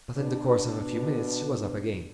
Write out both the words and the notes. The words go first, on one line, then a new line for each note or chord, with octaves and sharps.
But in the course of a few minutes she was up again.
B2 D4